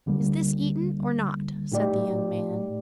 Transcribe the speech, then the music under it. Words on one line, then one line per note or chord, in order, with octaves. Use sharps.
"Is this eaten or not?" said the young man.
D2 D3 G3 A#3
A2 A3 D#4 G4 D5